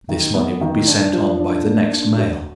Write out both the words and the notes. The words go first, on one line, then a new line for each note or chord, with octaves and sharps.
This money would be sent on by the next mail.
D#3
B3
D#3
D4
F3
D4
A#3
D4
F#4